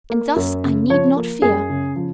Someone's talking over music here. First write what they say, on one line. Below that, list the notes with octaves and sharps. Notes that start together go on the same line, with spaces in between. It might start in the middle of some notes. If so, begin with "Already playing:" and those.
And thus I need not fear.
A#3
F#2
C#3
F3 C#5
A#3
F#2 G#4
C#3
F3